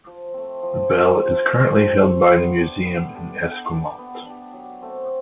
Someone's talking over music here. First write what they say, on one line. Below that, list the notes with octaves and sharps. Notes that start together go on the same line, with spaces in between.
The bell is currently held by the museum in Esquimalt.
F3
A3 C4
F3
A3 C4
F3
A3 C4
F3
A3 C4
B3
D4 G4
B3
D4 G4
B3
D4 G4
B3
D4 G4
F#3
A3 C4